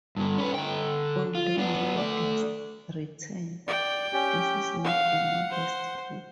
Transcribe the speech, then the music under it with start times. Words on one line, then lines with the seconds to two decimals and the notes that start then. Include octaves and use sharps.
Although modestly written, this is not a modest book.
0.17 G2 D3
0.38 C#4 B4
0.54 D3 G5
1.35 F4
1.58 B3 D4
1.95 A3 D5
3.68 D5 G5
4.13 C#4 G4
4.84 F5 F#5
5.50 C5